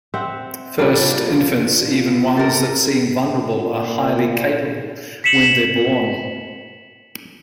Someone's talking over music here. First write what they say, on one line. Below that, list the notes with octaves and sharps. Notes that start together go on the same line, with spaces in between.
First, infants, even ones that seem vulnerable, are highly capable when they are born.
C4 E5 F#5
A2 G3 A#3 D4 F4
G4 A4 A#4
A#2
B6 C#7 E7 F#7